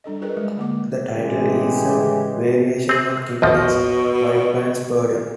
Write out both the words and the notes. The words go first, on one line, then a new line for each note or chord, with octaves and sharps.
The title is a variation on Kipling's "White Man's Burden".
G3 D4 A4 D#5
F4 G#4 A#4 B4 D#5 G5
G3 G#3 D#5
D3 A#3 D6
A2 C#3 E3 G#3 G4
C4 G#4
A1 D#2 B2 F3 D#5